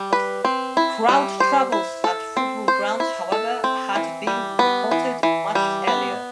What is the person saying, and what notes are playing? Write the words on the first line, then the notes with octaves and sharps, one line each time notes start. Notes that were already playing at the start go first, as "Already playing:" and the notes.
Crowd troubles at football grounds however had been reported much earlier.
Already playing: G3
B4
C4
E4
G3
C5
E4
A4
C4
C5
E4
A4
C4
E3
G3
B3
E3
E3
G3
B3